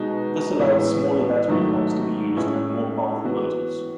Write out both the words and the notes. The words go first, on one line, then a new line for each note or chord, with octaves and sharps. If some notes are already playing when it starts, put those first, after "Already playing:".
This allows smaller battery packs to be used, and more powerful motors.
Already playing: B2 G#3 D#4 F#4
A2 E3 G#3 B3 E4
G#2 D#3 F#3 A3 E4
A2 G#3 C#4 E4
E3 B3 F#4